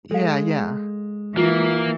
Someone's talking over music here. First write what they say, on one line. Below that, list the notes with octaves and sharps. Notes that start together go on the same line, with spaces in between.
Yeah, yeah.
G#3 A4 F5
E3 A#3 F4